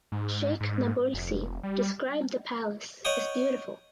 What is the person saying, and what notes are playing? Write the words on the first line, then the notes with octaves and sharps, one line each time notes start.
Sheikh Nabulsi described the palace as beautiful.
G#2
G#2
F1
G3
C#5 D#5 F#5 G5 D#6